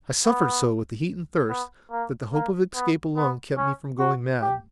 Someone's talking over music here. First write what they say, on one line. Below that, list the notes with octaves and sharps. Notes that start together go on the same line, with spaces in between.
I suffered so with the heat and thirst, that the hope of escape alone kept me from going mad.
B3
B3
A#3
A#3
B3
B3
C#4
F#4
G4